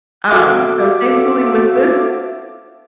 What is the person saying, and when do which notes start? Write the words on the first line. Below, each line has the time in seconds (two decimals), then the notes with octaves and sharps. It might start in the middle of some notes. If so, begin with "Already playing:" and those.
Um, so thankfully, with this,
0.31 F#4 A4 E5 F5 D6